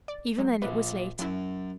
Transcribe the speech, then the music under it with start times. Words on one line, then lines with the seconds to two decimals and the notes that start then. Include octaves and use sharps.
Even then it was late.
0.08 D5
0.38 F#3 G#3
0.62 A#1 B4
1.19 F#2 F#3 E4